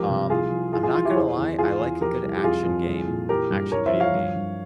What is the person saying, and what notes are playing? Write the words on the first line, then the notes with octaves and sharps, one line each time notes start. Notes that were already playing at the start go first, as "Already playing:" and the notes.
Um, I'm not gonna lie, I like a good action game action video game.
Already playing: C#2 F3 G4 A#4
C3
C2 F4 G#4
F3
E3 F4 G#4
F4 G#4
E3 F4
E4 G4
C#5
E2 G#4 C5
E2
E2 F4 G#4
E2
F3 G4 A#4
C2
G4
F2 F4 G#4
F2
C2
A#2
E3 G4 A#4
G2
C2 A#4 C#5
C5 E5
F3
C#5 F5
G2
G2